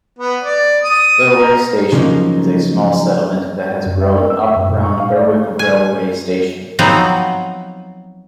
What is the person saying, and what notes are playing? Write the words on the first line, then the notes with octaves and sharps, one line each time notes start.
Berwick Station is a small settlement that has grown up around Berwick railway station.
B3
D5
D#6
A#4
C#3 F3 F#3 A#3 D#4
F#2
E5
A#4
E6
E5
F#2
A#2
C#6
F5
D5
G#5
F3 F#3 B3 C4 D#4 F#4